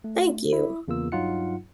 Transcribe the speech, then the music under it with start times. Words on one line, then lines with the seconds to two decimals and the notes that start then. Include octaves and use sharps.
Thank you.
0.04 A3
0.53 E4
0.88 E2 C#3 A#3 F4 E6
1.12 G2 F#3 D#4 F4 F#5 C#7